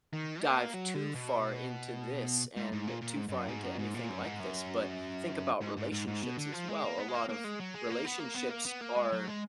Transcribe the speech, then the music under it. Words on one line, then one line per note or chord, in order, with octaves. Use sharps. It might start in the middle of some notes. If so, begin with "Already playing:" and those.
dive too far into this and too far into anything like this but, think about relationships as well. A lot of relationships are
D#3
A#3
F#3
D3
B2
G#2
G#2
A#2
A#2
G#2
G#2
F#2
G#2
F#2
G#2
A#2
F#2
G#2
F#2
G#2
G#2
G#2
G#2
B2
D3
F3
G#3
A#3
B3
G#3
A#3
A#3
G#3
F#3
G#3
A#3
B3
A#3
B3
A#3
B3
A#3
G#3
F#3
G#3